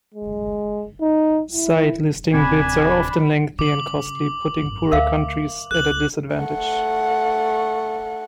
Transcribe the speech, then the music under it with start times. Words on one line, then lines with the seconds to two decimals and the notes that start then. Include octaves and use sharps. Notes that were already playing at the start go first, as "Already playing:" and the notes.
Site listing bids are often lengthy and costly putting poorer countries at a disadvantage.
0.14 G#3
1.01 D#4
1.53 E4
2.34 D1 C3 C4 D4 G#5 B5
3.59 C#3 D6 F#7
4.62 G#1 F#2
4.92 D2 A2 A#4 E5 F5
5.71 C#2 F#6 F#7
6.36 A3 F#5